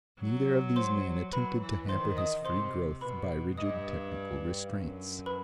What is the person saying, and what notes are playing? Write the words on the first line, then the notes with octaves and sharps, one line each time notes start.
Neither of these men attempted to hamper his free growth by rigid technical restraints.
F#3
C5 C6
F#3 B4 B5
E3
D#3 C5 C6
D#5 D#6
C3 C5 C6
B2 B4 B5
G2 D#5 D#6
F#2
B4 B5